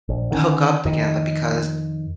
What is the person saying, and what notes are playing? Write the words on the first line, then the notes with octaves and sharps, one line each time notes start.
hook up together because
A#1
D3 D#3 C4 C#4
F2 D#3